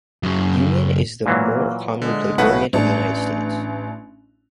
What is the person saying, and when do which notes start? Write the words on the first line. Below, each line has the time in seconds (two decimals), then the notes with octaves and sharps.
Union is the more commonly played variant in the United States.
0.23 F#2 C#3
1.26 A#2 E3 F#3 A#3
2.02 D3 G#3
2.38 B1 A2 C#3 E4 B4 F#5
2.73 A1 D4